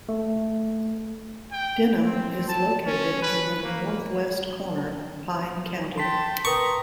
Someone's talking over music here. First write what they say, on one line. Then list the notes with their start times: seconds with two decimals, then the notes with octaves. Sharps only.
Denham is located in the northwest corner of Pine County.
0.09 A3
1.52 G5
2.04 C4
2.48 A5
2.86 C#4
3.22 B4
3.63 A#3
5.98 G5 A5 C6 B6
6.45 A#4 B4 G5 A#5 C#6 D#6